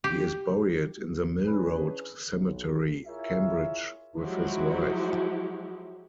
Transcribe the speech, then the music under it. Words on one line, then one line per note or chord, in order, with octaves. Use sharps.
He is buried in the Mill Road Cemetery, Cambridge, with his wife.
G4
E3 C#4 D4 G#4 B4
B1
E4 F4 G#4 A#4 C#5 E5
F3 F#3 G#3 E4 F#4 G4